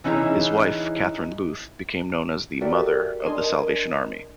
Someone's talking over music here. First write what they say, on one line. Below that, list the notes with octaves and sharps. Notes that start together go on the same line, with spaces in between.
His wife, Catherine Booth, became known as the "Mother" of The Salvation Army.
E3 C#4 D#4 E4 G#4
F#4 G4 A4 A#4 D5 E5
D4 A#4 D#5 G#5 C6